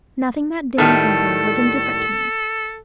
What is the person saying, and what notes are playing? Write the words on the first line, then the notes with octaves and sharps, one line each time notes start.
Nothing that dame from her was indifferent to me.
A2 D#3 G3 A4